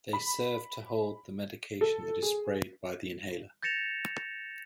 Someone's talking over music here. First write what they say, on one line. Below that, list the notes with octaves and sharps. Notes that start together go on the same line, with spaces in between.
They serve to hold the medication that is sprayed by the inhaler.
B5
A4
G#4
G6 A6 A#6 C#7 E7 F7